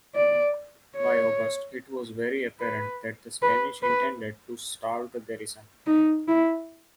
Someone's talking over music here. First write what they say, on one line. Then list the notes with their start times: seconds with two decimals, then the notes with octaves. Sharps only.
By August, it was very apparent that the Spanish intended to starve the garrison.
0.15 D5
0.97 C#5
2.60 B4
3.42 B4
3.83 B4
5.87 D#4
6.28 E4